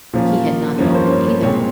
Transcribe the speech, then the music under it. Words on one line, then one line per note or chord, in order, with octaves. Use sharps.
He had not known it either.
A#2 F3 A#3 C#4 F5
G2 F3 A#3 C#4 C#5
C5
C#5
C#5
A#2 G#3 C4 C#5